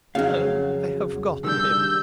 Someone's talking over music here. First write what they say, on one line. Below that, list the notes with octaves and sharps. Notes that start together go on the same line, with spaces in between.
"No, I have forgotten him."
F2 C#3 F#3 F#4 F5
D#3 G3 D4 E6 G6